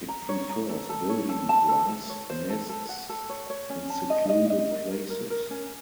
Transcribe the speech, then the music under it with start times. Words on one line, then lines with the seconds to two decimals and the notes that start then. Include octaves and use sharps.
It prefers building grass nests in secluded places.
0.08 A#5
0.29 C#5
0.49 A#5
0.69 A4
0.89 A4
1.09 C#5
1.29 A4
1.49 A5
1.69 A4
1.89 A4
2.09 C#5
2.30 C5
2.49 A4
2.69 A4
2.89 F#5
3.09 A4
3.30 C#5
3.50 C#5
3.70 C#4
3.90 A5
4.10 D#5
4.29 D#5
4.50 D#5
4.70 A#4
4.90 A#4
5.10 A#4
5.30 A#4
5.50 C#4